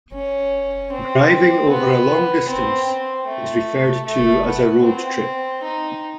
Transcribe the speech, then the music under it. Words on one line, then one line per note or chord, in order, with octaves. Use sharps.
Driving over a long distance is referred to as a road trip.
C#4
C4
B3
C4
C4
A3
A3
B3
C4
D#4